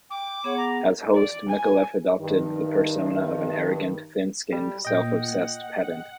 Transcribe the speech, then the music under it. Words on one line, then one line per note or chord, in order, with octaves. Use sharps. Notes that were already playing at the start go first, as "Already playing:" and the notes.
As host, Micallef adopted the persona of an arrogant, thin-skinned, self-obsessed pedant.
G5 D6
B3 G#4 C#5 F#5
A#5
D5
G#5
G2 D#3
G3
A#2 D#5 G5
F#5